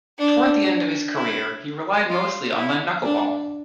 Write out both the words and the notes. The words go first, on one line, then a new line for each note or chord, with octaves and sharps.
Toward the end of his career, he relied mostly on the knuckleball.
D4
E4
F4
E4
D4